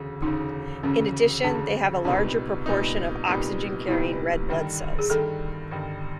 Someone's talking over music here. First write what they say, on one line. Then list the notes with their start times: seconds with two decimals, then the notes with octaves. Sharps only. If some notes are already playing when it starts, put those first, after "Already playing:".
In addition, they have a larger proportion of oxygen-carrying red blood cells.
Already playing: E1 D2 C#3
0.22 E1 D2 C#3 D#4
0.83 E1 D2 C#3 C#4
1.43 E1 D2 C#3 D4
2.05 C2 A#2 G3 B3 D4 D#4
2.66 C2 A#2 G3 B3 D#4
3.27 C2 A#2 G3 B3 D#4
3.88 C2 A#2 G3 B3 D#4 E4
4.49 G1 G2 D#3
4.99 G#4
5.10 G1 G2 D#3 A4
5.71 G1 G2 D#3